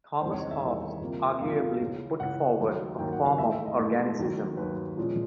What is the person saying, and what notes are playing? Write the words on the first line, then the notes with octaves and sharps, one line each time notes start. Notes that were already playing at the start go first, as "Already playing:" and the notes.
Thomas Hobbes arguably put forward a form of organicism.
E2 C3 D#3 G3 C5
C#5
D#5
E5
E2 C3 D#3 G3
C#2 C3 F3 A#3
C#2 C3 F3 A#3 F5
C#2 C#3 E3
C#2 C#3 E3 F#5
D#2 D#3 F#3 A#3
D#2 D#3 F#3 A#3 G5
F#5
F5
G#2 E3 A3 E5
E5
D#5
G#2 E3 A3
D#2 D#3 F#3
D#2 D#3 F#3 B4
A#2 F3 G#3 C#4